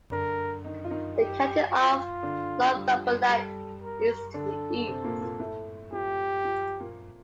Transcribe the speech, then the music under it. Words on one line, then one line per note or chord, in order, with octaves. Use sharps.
The county of Northumberland is to the east.
D3 D4 A#4
D#3 D#4
F4
D#3 D#4
G4
F4
D3 D4
G3
F3
G3
G3 A4
A#4
D3 D4 A4
C3 C4
A#2 A#3
A#2 A#3
A2 A3
F3 G4
F3
A#2 A#3